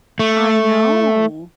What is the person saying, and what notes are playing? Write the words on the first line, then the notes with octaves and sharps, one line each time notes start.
I know.
A3